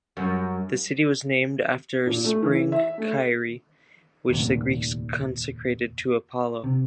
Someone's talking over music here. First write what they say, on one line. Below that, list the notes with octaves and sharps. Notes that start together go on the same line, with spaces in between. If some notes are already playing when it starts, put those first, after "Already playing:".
The city was named after a spring, Kyre, which the Greeks consecrated to Apollo.
F#2
A#2
A3
E3
E5
A3
F1 D#2 A#2
C3